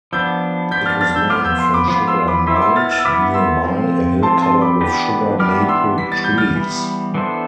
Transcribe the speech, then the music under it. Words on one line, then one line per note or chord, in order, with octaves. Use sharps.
It was named from Sugar Mound nearby, a hill covered with sugar maple trees.
F3 B3 D4 E6 G6
F3 B3 D4 G6 B6
F6 A6
F6 A6
E6 G6
F3 B3 F4 D6 F6
E6 G6
C6 E6
B5 D6
F3 B3 F4 B5 D6
C6 E6
B5 D6
B3 E4 B4 C6 E6
D6
C6 E6
F6 A6
F6 A6
E6
B3 E4 B4 D6 F6
C6 E6
F3 C4 F4
F3 C4 F4 A5 C6
A5 C6
B5 D6
E3 B3 D4 G4 B4
E3 B3 D4 G4 B4 D6 F6
C6 E6
E3 G3 B3 B6
A6
G6
F6 A6
E3 G3 B3
E3 B3 D4 A4 C5